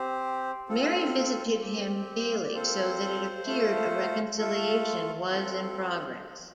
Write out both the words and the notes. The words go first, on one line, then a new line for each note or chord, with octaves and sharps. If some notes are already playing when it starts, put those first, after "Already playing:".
Mary visited him daily, so that it appeared a reconciliation was in progress.
Already playing: C4 G4 C5
C4 F4 A4
C4 G4
G5
F5
D5
C4 F4 A4 C5
A3 F4 A4
A3 F4 A4
C4 F4 A4